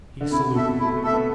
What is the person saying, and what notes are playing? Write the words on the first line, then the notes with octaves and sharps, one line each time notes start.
He saluted.
D3
C3 E4
C3
B2 A4 E5
A3 E4
A3
A4 E5
B3